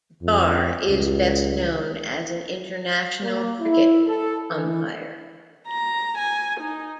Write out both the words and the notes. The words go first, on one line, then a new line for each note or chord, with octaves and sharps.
Dar is best known as an international cricket umpire.
F2
C#2
A#3
E4
A4
E3
A#5
G#5
D#4